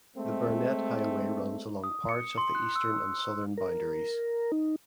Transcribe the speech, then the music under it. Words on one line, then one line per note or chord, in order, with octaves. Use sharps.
The Burnett Highway runs along parts of the eastern and southern boundaries.
G#3 A3 C4
D#6
C#7
C6
F#6
E6
A#4
D#4